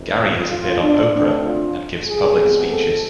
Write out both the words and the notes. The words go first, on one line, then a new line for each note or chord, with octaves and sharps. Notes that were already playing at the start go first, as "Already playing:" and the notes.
Gary has appeared on "Oprah" and gives public speeches.
Already playing: F2 C3 E3
F4
F4
D4
D2 D3 A3 C4 D4
F4
G#4
C3 F3 G#3 B3
A4